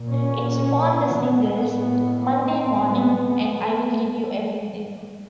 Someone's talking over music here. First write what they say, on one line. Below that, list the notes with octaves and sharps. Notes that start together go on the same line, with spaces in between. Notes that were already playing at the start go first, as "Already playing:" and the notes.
It spawned the singles "Monday Morning" and "I Will Give You Everything".
Already playing: A#2
C#4
C#4
B3
A2 B3
C4
B3